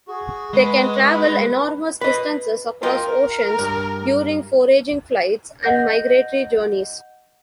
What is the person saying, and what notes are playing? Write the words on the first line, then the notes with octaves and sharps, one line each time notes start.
They can travel enormous distances across oceans during foraging flights and migratory journeys.
F#4 G#4
G#3 B4
B4 D#5
F4 A#4 D#5 G5
G2
D#5 F#5 G6 A#6